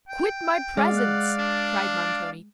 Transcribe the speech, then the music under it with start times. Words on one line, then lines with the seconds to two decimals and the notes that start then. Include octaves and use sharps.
'Quit my presence!' cried Montoni.
0.09 G5
0.77 G#3 D5 F5
0.97 F#5
1.39 D4